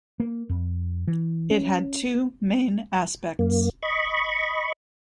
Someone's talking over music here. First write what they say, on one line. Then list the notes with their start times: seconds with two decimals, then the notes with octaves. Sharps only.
It had two main aspects.
0.20 A#3
0.49 F2
1.07 E3
1.50 C#4
3.39 F#2 A#3
3.83 D#5 B5 C#6